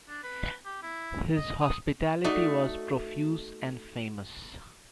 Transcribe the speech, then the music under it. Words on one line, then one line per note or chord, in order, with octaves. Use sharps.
His hospitality was profuse and famous.
D4
B4
G4
E4
D#5
D#6
A3 D#4 F#4 D5